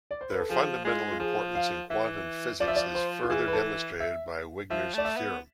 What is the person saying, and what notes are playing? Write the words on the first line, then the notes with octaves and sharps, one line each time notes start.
Their fundamental importance in quantum physics is further demonstrated by Wigner's Theorem.
D5
C5
B4
A4
F3 G#4
G#3 F4
F4
F3 G#4
F5
E3 E5
F3 D5
E5
D5
C5
F4
E3 G#4
B4
A4
E5
F3 E5
A3 D5
E5
B3